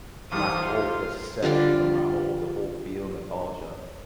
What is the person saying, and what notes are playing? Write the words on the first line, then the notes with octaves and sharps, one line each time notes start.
my whole perception, or my whole the whole feel nostalgia
E2 A2 D#3 G4 C5 F5 C6 D#6
F4
D3 G3 F4 D5